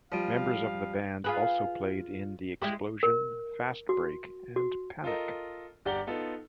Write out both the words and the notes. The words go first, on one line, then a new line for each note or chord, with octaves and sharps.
Members of the band also played in The Explosion, Fastbreak, and Panic.
F3 G3 F4 F5 D7 D#7
F4 G#4 B4
G#3 E4 G4
A#4
F#4
F#4
F4 A4 A#4 D#5
G1 G4 D5 F#5 A#5 G7
B3 D#4 F4 A4